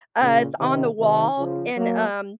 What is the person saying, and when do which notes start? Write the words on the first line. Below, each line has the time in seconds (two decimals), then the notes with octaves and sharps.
uh, it's on the wall and, um
0.21 A#2 C#3
0.60 C3 D#3
0.99 C3 D#3
1.38 C#3 F3
1.77 F#3 A#3